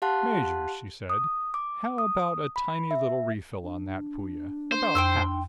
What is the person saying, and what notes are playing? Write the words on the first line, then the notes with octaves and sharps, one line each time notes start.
"Major," she said, "how about a tiny little refill on that Puya--about half?"
G4 F5 F#5 A5 C6 F#6
D#6
D6
D#6
B5
E5
D4
C5
F2 G5 C6 E6